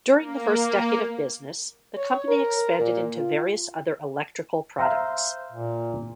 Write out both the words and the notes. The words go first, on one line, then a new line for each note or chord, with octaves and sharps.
During the first decade of business, the company expanded into various other electrical products.
A#3
C#5
A#4
A#2
F4
C5 E5 F5 A#5
A#2